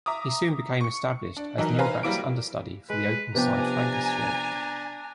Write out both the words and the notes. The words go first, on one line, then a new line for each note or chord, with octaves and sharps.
He soon became established as Neil Back's understudy for the openside flanker shirt.
E5 A#5 D6 D#6
C#6 C#7
D4
E3 F#3 D#4 E4 A#4
B4 C5 F5 G#5 A#5
F#3 G3 A#3 E4 D6 D7
G#3 B4
C3 F3 B3 D4 G4 G#5 A#5